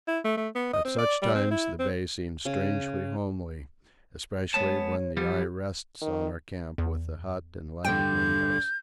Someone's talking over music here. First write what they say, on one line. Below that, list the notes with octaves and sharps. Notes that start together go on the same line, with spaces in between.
At such times the Bay seems strangely homely, especially when the eye rests on our camp with the hut and lighted windows.
E4
A3
A3
B3
D#5
C4
D5
G3
C4
E4
C4
C#3
G#3 B3 C#5 A5
F3 G3 B3 G4
D#3
E2
G2 D3 G5 G6